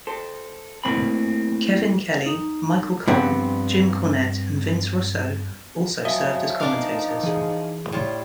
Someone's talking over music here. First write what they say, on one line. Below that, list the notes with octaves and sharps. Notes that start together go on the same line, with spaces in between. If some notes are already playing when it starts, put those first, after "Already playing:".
Kevin Kelly, Michael Cole, Jim Cornette and Vince Russo also served as commentators.
A4 C5
A2 A#3 C4 B5
D#4
G2 F3 B3 C4
F3 F#3 D#5 E5 G#5
D4 D#4 A#4 F5
E3 G#4
A2 G3 F4 C#5